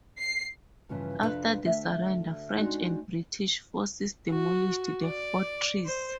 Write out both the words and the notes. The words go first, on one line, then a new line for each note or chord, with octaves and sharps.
After the surrender, French and British forces demolished the fortress.
C7
G2 C#3 E3 F3
F2 C3 D4 D#4 B4 F5
D2 E5
G#3 C4 D4 D#4 F#4
F#4
D5
C5